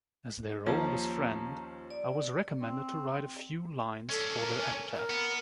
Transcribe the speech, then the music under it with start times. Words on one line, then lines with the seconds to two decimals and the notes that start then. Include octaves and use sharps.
As their oldest friend, I was recommended to write a few lines for their epitaph.
0.66 D#2 F3 C#4 A5 A#5
1.90 D5
2.59 C4
4.10 C#4 D4 A4
4.38 A#4
4.59 G#5
4.94 A#4
5.10 B3